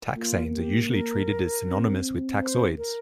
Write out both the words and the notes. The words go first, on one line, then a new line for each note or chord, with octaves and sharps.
Taxanes are usually treated as synonymous with taxoids.
A#3 F4
G4
A#4
C4
C5
A#4